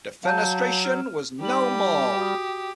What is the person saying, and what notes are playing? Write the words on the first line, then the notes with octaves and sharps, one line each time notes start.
Defenestration was no more.
F#3 F5 A5 G6
F6
G3 D#4 G4 F#7
F#4 D#6